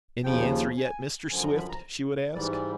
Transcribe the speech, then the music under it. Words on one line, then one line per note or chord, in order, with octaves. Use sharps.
"Any answer yet, Mr. Swift?" she would ask.
D#2 C#3 F3 G5
G#5
F#2 D3 F3 G#5
A#5
B5
A#5
G#2 E3 G3 D5
D5